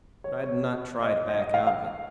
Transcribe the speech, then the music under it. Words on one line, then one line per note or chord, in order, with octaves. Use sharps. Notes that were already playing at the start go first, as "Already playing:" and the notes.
But I did not try to back out of it.
C#5
C#5
D#5
D#5
D#5
F5
F5